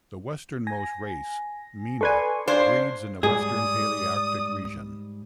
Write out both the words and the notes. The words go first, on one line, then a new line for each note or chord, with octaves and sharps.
The westernmost race, "meena", breeds in the Western Palearctic region.
G#5 A#6
A4 B4 D5 G#5 C6 C#6
D4 C5 F5 G#6 C7
G#2 G3 G#4 D5 D#6